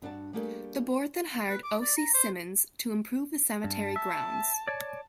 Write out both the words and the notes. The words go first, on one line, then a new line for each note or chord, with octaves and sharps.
The board then hired O. C. Simonds to improve the cemetery grounds.
G2 D4 F#4 A5
G3 A3 A#3 D4 G4 G#4
B4
D6
D5
A#5
C5
G2 A5
E5
C#5 D5